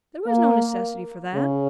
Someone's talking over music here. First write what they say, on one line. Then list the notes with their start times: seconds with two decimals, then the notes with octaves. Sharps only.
'There was no necessity for that.
0.26 A#3
1.35 C#3